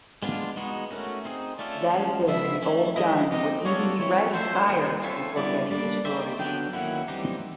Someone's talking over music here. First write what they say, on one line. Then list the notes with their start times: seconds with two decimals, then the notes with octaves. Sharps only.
That is if the old gun would even be ready fire before getting destroyed.
0.23 G#3 B3 D4 F4
0.56 G#3 B3 D#4 F#4
0.91 A3 C#4 F#4 A#4
1.25 C4 D#4 G#4
1.59 A3 C#4 F4 A4 D5
1.93 F3 G#3 C#4
2.28 C#3 F3 G#3 B3 E4 E5
2.62 E3 A3 C#4
2.96 F3 G#3 C#4 E4 D#5
3.31 C4 D#4 G4 D#5
3.65 G3 B3 D4 F4 A4 C#5
3.99 F3 A3 C4 E4 C#5
4.33 C#4 F4 A4 C5 C#5 E5
4.67 D#3 G3 A#3 D#4 G#4
5.02 C4 F4 A4 C#5 E5
5.36 D3 G3 B3 E4 D5
5.71 G3 A#3 D4 D5
6.05 A#3 D#4 G4 C5 E5
6.39 D3 F#3 B3 D4 G5
6.73 D#3 F#3 A#3 C#4 E4 F#5
7.08 E3 G3 C4 D#4 G4